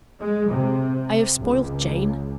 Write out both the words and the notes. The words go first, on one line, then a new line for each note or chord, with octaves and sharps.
I have spoiled Jane.
G#3
C3
C#2